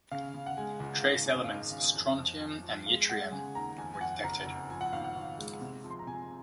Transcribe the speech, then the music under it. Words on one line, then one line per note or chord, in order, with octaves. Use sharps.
Trace elements, strontium and yttrium, were detected.
C#3 F5
C#3
F#5
G#3 G#5
C#2
G#1
F#2
F5
G#1 D#5
F#2
F2
F2
F2
F3
G#3 F5
G#3 F#5
C#3 G#5
D#2 A#5
F2 G#5
G#5
F2 F#5
F#1 A#5
F#1
F3 G#5
F#5
G#1 F5
F#5
G#1
G#3
C3
F3
C6
A#5
C3 G#5